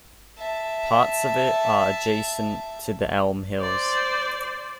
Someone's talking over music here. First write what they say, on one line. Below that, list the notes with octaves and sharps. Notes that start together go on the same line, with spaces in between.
Parts of it are adjacent to the Elm hills.
E5 A5
C5 D5